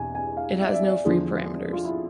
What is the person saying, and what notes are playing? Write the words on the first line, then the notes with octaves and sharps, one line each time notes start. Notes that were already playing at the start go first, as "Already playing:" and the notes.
It has no free parameters.
Already playing: E2 B2 G#5
G#5
F5
E5
D5
E5
D5
E2 D3 F3 G#4
F4
E4